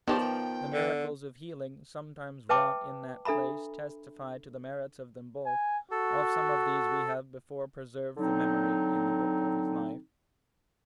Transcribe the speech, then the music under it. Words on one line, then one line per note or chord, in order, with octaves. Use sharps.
The miracles of healing, sometimes wrought in that place testify to the merits of them both; of some of these we have before preserved the memory in the book of his life.
D#3 F3 B3 G4 D5
G5
D3
B4 E5 G5 A5 D6
D4 A4 E5 A#5 B5
G#5
F#4 A4
D3 F#3 C4 D#4